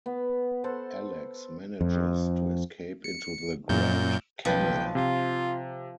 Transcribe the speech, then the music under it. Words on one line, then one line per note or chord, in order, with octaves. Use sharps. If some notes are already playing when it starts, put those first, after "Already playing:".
Alex manages to escape into the Grand Canal.
B3
A4 C5 F#5
F2
C#7
F#2 A#2 G6
B1 F3 B4 G5
C3 F4